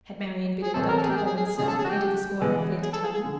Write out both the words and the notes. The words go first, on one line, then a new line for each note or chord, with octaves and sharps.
Had Marian been abducted by Monceux, and did the Squire fear to tell him?
G#4
A2 E3 A3 C4 A4
A#4
A4
G#4
G4
G#4
G#4
G#4
G#4
C#3 F3 A3 G#4
A4
G#4
F#4
G4
E3 G#3 B3
G#4
A4
G#4
G#4
D3